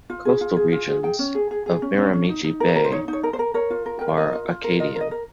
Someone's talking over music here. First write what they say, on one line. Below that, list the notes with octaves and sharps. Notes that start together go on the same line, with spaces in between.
Coastal regions of Miramichi Bay are Acadian.
F4
G#4
F4
G#4
F4
G#4
G#4 G5
C#4
G#4
G#4
G#4
C#4
C#4
C#4
D#4
D#4
A#4
A#4
C5
D#4 C#5
D#4
C#5
A#4
C5
A#4
A#4 C#5
F4
A#4
A#4 G5
F5
A#4 D#5
F4
F4
A#4
F4 D#5
A#4
D#5
A#4